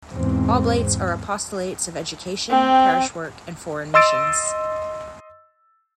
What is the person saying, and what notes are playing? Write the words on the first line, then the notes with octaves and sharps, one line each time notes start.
Oblates are apostolates of education, parish work and foreign missions.
E2 G#2 C4
C4 G5
D#5 C6 E6 A6 D7